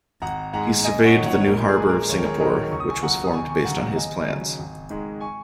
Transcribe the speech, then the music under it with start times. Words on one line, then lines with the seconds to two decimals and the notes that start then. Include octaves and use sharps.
He surveyed the new harbour of Singapore, which was formed based on his plans.
0.22 G#1 F#5 A#5
0.53 G#2 G#3 F#5 A#5
0.84 F#2 D#5 G#5
1.05 C#5 F#5
1.15 D#3 F#3
1.26 C#5 F#5
1.41 C#5
1.46 A#1 A#4
1.68 G#4
1.77 A#2 G#3
1.89 A#4
2.09 D#2 C#5
2.18 A#4
2.25 G#4 C#5
2.40 D#3 F#3 A#4 D#5
2.71 C#2 C#6
2.80 D#6
2.89 G#5 C#6
3.03 C#3 F#3 F#5 A#5
3.24 D#6
3.34 D#2 G#5 C#6
3.49 G#5 C#6
3.65 C#3 F#3 F#5 A#5
3.81 F#5 A#5
3.96 D#2 D#5 G#5
4.28 C#3 F#3
4.59 G#1
4.90 G#2 D#3 G#3
5.20 G#5 C#6